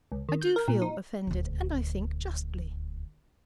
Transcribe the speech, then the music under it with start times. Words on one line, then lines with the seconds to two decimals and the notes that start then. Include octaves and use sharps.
'I do feel offended; and, I think, justly.
0.12 C#2
0.29 D#3
0.41 G6
0.56 A#4
0.68 A#2
0.82 D#4
1.27 D#1 D2